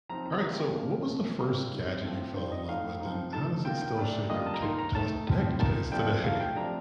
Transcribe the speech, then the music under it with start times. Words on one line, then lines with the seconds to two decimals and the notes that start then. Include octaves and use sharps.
All right, so what was the first gadget you fell in love with, and how does it still shape your ta test tech taste today?
0.09 F3 C4 D#4 A#5
0.26 A#5
0.42 C3 G3 A#3 F4
0.74 A#2 F3 A#3
1.06 A#2 F3 A#3
1.39 C3 G3 C4 F4 A#4
1.71 D#3 G3 C4
2.04 A2 A3 C4 F4
2.36 D#3 G3 D4 F4 C5
2.52 D#5
2.68 A2 A3 D#4 F5
3.00 F3 C4 D#4
3.33 F3 A3 D#4 A5
3.65 D#3 A#3 F4 G5
3.81 G5
3.97 A#2 A3 D4
4.30 D3 G3 A#3 F4 D#5
4.46 A5
4.54 A#5
4.62 D#3 A#3 D#4 C6
4.79 A#5
4.94 D#3 A3 D#4 A5
5.27 A2 F3 C4
5.59 A#2 F3 A#3 D#4 A5
5.92 C3 F3 A3 D4 F4 G5
6.24 F3 A3 D#4 F5
6.40 G5
6.56 C3 F3 A3 D4 A#5